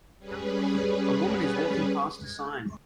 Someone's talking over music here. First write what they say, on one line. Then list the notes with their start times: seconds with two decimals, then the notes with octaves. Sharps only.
A woman is walking past a sign.
0.18 G3 C#4 G#4 B4